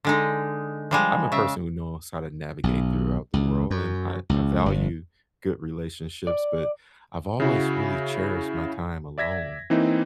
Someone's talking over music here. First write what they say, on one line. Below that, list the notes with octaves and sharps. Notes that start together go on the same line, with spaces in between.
I'm a person who knows how to navigate throughout the world, and I I value good relationships, but I've always really cherished my time alone.
D3 G#3 D#4
F3 G3 G#3
C#3 E5
B1
C#2
F#2
C#2
G1
D5
C#3 E4 F#4
D5 E5 G#6 A#6 B6
E3 A#3 C4 D#4 E4